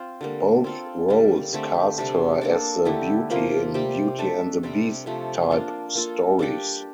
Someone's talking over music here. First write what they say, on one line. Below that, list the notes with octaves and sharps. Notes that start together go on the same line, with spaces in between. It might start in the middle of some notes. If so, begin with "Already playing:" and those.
Both roles cast her as the beauty in "Beauty and the Beast"-type stories.
Already playing: C4 F4 C5
D3 G3 A#3
C4 F4 A4
D3 G3 A#3
D3 A3 C4 G4
C3 G3 D4
A#3 D4 A4
D3 A3 E4 G4
C3 F3 A#3 F4
C3 G3 C4 G4
A3 D4 A4 E5
C3 G3 C4
C3 F3 A3 C4
A#3 D4 F4
A#3 F4 A4
G3 D4 G4 D5